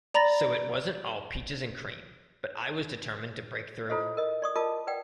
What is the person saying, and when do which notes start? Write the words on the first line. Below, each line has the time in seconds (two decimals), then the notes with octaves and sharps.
So it wasn't all peaches and cream, but I was determined to break through.
0.14 D5 A#5 B5 A6 A#6
3.90 E4 F4 A4 C5 D#5
4.17 A#4 D#5
4.42 D5 C#6 D#6
4.55 F4 A#4 D#5 A5 D6
4.87 B4 D5 F#5 G5